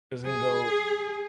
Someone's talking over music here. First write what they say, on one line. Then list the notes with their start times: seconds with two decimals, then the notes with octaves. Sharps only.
'cause it can go
0.26 G#4